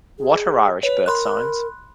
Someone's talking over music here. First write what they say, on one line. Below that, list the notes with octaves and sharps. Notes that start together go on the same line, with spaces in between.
What are Irish Birth Signs?
G#4
B4 C#5
A#4 B5 C6 F#6